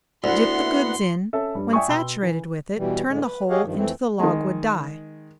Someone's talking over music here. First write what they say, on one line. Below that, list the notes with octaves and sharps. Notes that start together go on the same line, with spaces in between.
Dip the goods in--when saturated with it, turn the whole into the logwood dye.
D2 B3 E4 F#5 C6
C#4 A4 E5
G2 G3
D5 E5 G5 G#5 C#6 D#6
B2 G5 B5 C6 E6 G7
E3
B2 E3 G3
A2 D3 G#3
B4
G4 G#4 C#5 D#5 F5 F#5
G2 D#3 F3
F2 E3 A3 C4
D#3 G#3